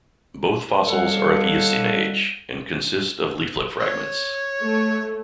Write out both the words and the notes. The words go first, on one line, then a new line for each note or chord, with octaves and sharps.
Both fossils are of Eocene age, and consist of leaflet fragments.
G3 A4 C#5 D#5 F5 F#5
C#5
A3